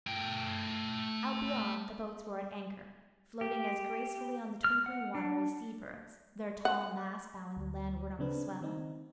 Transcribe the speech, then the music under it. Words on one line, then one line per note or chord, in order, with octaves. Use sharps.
Out beyond, the boats were at anchor, floating as gracefully on the twinkling water as sea birds, their tall masts bowing landward on the swell.
A3 G5
G4
F6
F#5
D4
F#5
D2
C#3 C4 D4 B4
D#3 C4 D#4